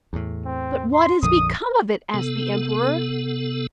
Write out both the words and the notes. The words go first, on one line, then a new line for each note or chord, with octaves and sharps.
"But what is become of it?" asked the Emperor.
E2 A2
C4
C6
A#1 F2 D3 D#6
C3 B3 A4